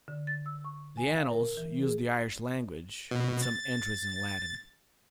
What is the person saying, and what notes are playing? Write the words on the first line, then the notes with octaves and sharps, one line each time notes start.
The Annals used the Irish language, with some entries in Latin.
D3
A6
E6
C#6
G#5
F5
A#4
E3
G#4
B2
A6